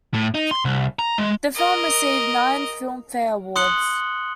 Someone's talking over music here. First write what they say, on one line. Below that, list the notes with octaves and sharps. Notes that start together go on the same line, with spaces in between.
The film received nine Filmfare Awards.
A2
D#4
C6
C2
A#5
G#3
A#4 D#5
C6 D#6 F#6 C#7 F#7 G7